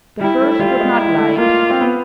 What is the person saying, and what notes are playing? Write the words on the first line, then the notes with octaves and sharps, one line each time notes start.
The first would not light.
G3 E4
A3
G3 F4
G#3
E4
A3
A#3 F4
C4
B3